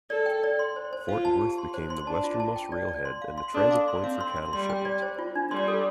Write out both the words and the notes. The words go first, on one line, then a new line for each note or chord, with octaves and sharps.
Fort Worth became the westernmost railhead and a transit point for cattle shipment.
A4 D5
G5
D5
C6
C5
C5
F4 F5
A5
G4
C6
C5
C6
D4 A5
F4
A5
G5
D5
D5
C6
F5
C6
D4 A4
F5
C6
C4 F5
C6
C6
G3 C6
G5
D5
C5
F4
D4
G3 C6
A4